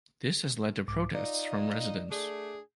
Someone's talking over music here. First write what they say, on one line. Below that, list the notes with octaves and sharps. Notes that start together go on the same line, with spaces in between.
This has led to protests from residents.
C2 G#2 D6
D#4 F4 D5 D#5
A3 D4 G#4